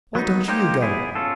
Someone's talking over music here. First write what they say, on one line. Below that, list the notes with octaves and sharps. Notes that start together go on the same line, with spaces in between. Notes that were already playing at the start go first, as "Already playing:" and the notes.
Why don't you go?
F#3 B3 D#4
A#3 D#4 G4 C5
B3 E4 G#4
C#4 F4 A4